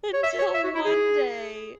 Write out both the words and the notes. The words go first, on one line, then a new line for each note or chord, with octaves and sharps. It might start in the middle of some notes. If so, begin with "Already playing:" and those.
Until one day,
C#5
E5
C#5
E5
F#4
E4
G#4